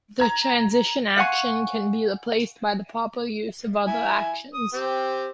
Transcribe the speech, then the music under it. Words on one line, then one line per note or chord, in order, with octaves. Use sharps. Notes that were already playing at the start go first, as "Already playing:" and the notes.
The transition action can be replaced by the proper use of other actions.
A#5 G#6
F5 F#5 G#5 C#6
E4 G#5
D#6
C4 G4